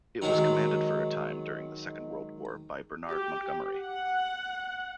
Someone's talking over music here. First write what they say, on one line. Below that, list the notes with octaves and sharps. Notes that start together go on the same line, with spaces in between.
It was commanded for a time, during the Second World War, by Bernard Montgomery.
D#3 F#3 G#3
G4
F#5